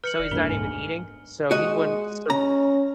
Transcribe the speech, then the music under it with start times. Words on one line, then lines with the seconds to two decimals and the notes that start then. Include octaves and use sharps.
so, he's not even eating. So, he wouldn't surv
0.04 B4 F6 C#7 F#7
0.20 F1 D5
0.31 D#1 B1 F#2 A3 D4 A#4 G7
0.49 G#2 G#5
1.51 G#3 F#4 D#5
2.30 C#4 A#5